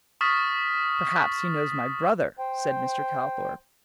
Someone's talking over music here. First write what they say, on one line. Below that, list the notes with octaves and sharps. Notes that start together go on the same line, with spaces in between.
"Perhaps he knows my brother?" said Mr. Calthorp.
C#6 D#6 F6 A6 B6
C5 G5